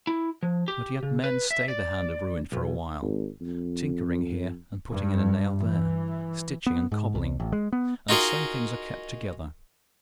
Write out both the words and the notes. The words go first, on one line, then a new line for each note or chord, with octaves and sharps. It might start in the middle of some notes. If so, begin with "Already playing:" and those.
But yet men stay the hand of ruin for a while, tinkering here and putting in a nail there, stitching and cobbling; and so things are kept together.
E4
F3
G4
C#3
B4
E5
D5
B1
G#1
F2
G2
E3
B3
G#2
C2
A1
G#3
B3
D#4 F4 F#4 G#4 A#4 D#5